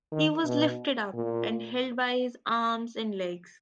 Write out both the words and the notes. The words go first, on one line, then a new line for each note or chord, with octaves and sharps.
He was lifted up, and held by his arms and legs.
D#3
B2
A#2